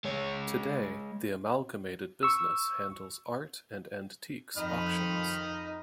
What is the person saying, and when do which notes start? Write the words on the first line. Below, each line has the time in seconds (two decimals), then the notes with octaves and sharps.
Today, the amalgamated business handles art and antiques auctions.
0.05 G#3 C#5
2.23 C#6 E6
4.57 F2 D#4 D#5 B5 F6